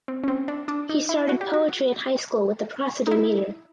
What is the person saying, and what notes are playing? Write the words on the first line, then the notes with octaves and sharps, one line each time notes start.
He started poetry in high school with the prosody meter.
C4
C#4
C4
D4
D4
D#4
E4
F#4
G4
F#4
D#4
E4